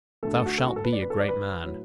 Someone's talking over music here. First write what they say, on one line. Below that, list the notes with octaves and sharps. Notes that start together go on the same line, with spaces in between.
Thou shalt be a great man.
D2 D3 A3 A4
A4
F#4
A4
F#4
A4
B4
D5
B4
A4
D5
B4
A2 F#3